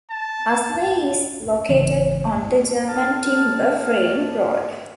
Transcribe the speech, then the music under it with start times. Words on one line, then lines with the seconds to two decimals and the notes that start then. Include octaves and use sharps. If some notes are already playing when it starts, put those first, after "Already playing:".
Uslar is located on the German Timber-Frame Road.
0.10 A5
1.69 G#1 C#3 E3 C4
2.88 D2 D#4 A5 F6